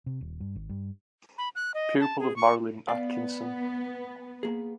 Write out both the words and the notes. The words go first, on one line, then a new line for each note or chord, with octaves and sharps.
Pupil of Marilyn Atkinson.
C3
D#1
G2
G#1
G2
B5
F#6
D#5
A5
G#4
C#6
B3 D5 F5
A#3 G#4